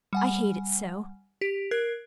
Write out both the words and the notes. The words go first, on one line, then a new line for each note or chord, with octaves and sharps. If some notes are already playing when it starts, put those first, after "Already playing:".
I hate it so.
G3 F#5 G#5
G4 B6 D7
A#4 F#6 G#6 C7